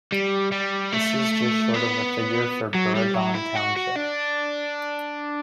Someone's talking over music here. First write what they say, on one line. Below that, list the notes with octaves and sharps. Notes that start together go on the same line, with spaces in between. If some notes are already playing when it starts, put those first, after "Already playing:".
This is just short of the figure for Burradon township.
G3
G3
A3
B3
F#3
G3
F#3
E4
F#4
F#4
D4